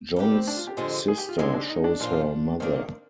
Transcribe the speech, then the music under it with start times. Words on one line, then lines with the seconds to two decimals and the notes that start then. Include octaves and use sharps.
John's sister shows her mother.
0.16 G3 A#3 D4 G4
0.32 C4
0.47 D4
0.57 F4
0.67 G4
0.77 F2 D3 F3 G#3 C4
1.08 G#4
1.18 G4
1.29 F4
1.38 D#2 D3 G#3 C4 D#4
1.54 D4
1.69 D#4
1.84 D4
2.00 A#2 F3 A#3 F4 C5
2.60 D#3 A#3 C4 D4